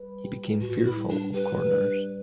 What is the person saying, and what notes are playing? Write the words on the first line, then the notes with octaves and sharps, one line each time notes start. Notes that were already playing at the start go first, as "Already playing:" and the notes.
He became fearful of corners.
Already playing: G3 B4
G4
A2 F#4
F#4
E4
G3
D4
G4 B4
D4